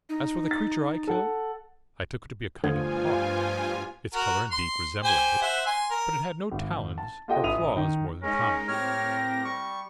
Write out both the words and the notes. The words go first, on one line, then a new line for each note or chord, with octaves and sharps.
As for the creature I killed, I took it to be a kind of hawk, its color and beak resembling it, but it had no talons or claws more than common.
D#4
A6
A4 F#5
G2 D3 F3 A3 F4 G#5 D#6 G#6
F#4 A#4
C6
G4 C5 G#5
C5 E5 F#5
G#5 C6
A#4
G#1
A5
F4 G4 A4 D#5 F#5 G5
A1 E5 D#6 D#7 F7
D#3
G#3 C#4 D#4 A#4
A2 C4 G4 C#5 F6 A#6
G3 C#6